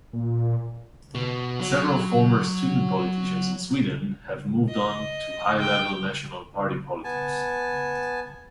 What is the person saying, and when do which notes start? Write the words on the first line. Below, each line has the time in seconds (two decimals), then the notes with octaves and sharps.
Several former student politicians in Sweden have moved on to high-level national party politics.
0.13 A#2
1.14 B2
1.60 F#3
4.69 D#5
5.59 G5
7.04 B3 G#5 A5